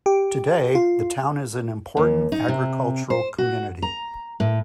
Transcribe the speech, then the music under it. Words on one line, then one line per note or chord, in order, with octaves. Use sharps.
Today, the town is an important agricultural community.
G4
F4
D#2
D#4
C3
C5
F#4
A#5
A2